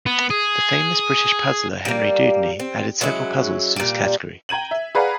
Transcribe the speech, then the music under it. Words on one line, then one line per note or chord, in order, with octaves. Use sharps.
The famous British puzzler Henry Dudeney added several puzzles to this category.
B3
G#4
G3 A#3
C4
F#3 G#3 C#4 E4
A#2 G3
G5 A#5 G#6 D#7 F#7
E5
G#4 B4 D5 F5 F#5 A#5